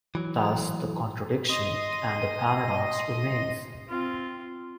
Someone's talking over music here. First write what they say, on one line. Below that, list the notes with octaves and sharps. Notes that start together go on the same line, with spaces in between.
Thus, the contradiction, and the paradox, remains.
E3 F#3
D#5 C6 A#6 D#7
C4 F4